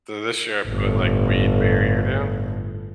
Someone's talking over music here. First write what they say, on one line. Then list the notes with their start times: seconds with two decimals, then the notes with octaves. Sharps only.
So this year I put, like, weed barrier down
0.65 G1 A2